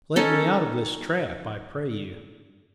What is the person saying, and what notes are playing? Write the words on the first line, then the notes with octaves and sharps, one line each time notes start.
Let me out of this trap, I pray you.
C#4 D#4 A4